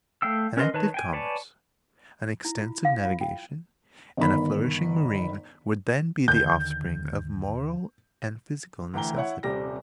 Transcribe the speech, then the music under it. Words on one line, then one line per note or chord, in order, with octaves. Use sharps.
An active commerce, an extensive navigation, and a flourishing marine would then be the offspring of moral and physical necessity.
A3 F5 G5 E6
C#4 A#4 B4 D#5 C6
D#3 B4 C#5 A5
G5 G#5
B4 C#5 D5 G#5 A5
E4
F4
F5
F4
G5
G1 D#3 B5
D#2 D3 D#3 G6
D2 E3 G5 A#5 G7
E4 C#5 F#5
D#1 C3 G3 G4 A#6